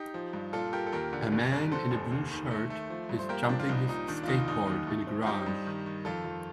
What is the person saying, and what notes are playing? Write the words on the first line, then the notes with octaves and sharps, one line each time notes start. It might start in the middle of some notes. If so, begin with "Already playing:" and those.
A man in a blue shirt is jumping his skateboard in a garage.
Already playing: D#4 G4
F3
G2
A#2 F4 A4
A#2 G4 A#4
A4
D#2 G4 A#4
D3
G1
G1
D3 A4 C5
F1
D#2
D#3
A3
A3
F3
G2
C5
A#3 G4 A#4
F3 D4
F4
C2 D#4
A#2 D#4
D#3 D4
F4
D#2 D#4
F1 D#4
D#2
A3
C4
F4
G3 D#4 G4
G2
D#3
D#3
F2 F4 A4
F2